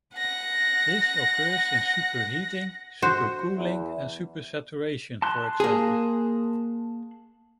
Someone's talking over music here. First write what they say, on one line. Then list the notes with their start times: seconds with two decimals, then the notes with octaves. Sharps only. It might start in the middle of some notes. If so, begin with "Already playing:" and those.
This occurs in superheating, supercooling, and supersaturation, for example.
0.17 F#5 A#6
3.02 F#4 C5
3.57 E2
5.22 A5 C6 F#6
5.60 A#3 G#4